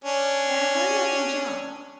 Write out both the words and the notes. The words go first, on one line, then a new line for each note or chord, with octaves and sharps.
Now, hurry up and jump.
C#4 D4